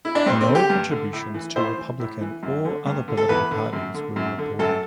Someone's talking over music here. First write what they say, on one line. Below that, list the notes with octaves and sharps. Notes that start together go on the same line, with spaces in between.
No contributions to Republican or other political parties were reported.
E4
D4
G2 C4
C4
D3
G4
G2
D3
A2
E3
A2 C5
E3
A2
E3
F#2
D3
G2
D3
A4
E2 B4
D3
F#2
D3
F#2
D3
F#2 A4